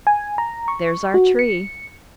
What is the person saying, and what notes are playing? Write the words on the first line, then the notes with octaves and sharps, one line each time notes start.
"There's our tree."
G#5
A#5
C#6
F#4
C#7